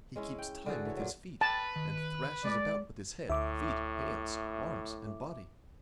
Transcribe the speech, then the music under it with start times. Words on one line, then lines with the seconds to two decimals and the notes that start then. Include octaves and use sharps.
He keeps time with his feet, and thrashes about with his head, feet, hands, arms, and body.
0.16 G#3 C#4 E4
0.38 G5
0.66 D3 F#4 G#4 A4
0.85 E3 C#5
0.97 A#2 F#3
1.41 B4 G5 A5
1.76 D#3
2.45 G#3 D5
3.29 D2 A2 E5 D6